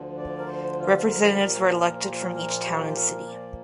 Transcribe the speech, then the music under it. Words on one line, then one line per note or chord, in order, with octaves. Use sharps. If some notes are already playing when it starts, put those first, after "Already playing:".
Representatives were elected from each town and city.
Already playing: D2 D3 F3
D5
A#4
C5
F4
A#4
A#2 F3 A#3
C5
C5
A#4
A#4
F4
G4
C5
A#4
D5